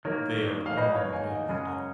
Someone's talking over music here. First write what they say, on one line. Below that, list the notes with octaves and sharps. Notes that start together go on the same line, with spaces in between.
They are long-lived.
D#3 F#3 A#3 A#4 C#5
F5
D#3 A#3 D#4 B4 D#5
C#5 F5
F5 G#5
D#5 F#5
F#2 C#3 G#3 C#4 G#5 B5
F#5 A#5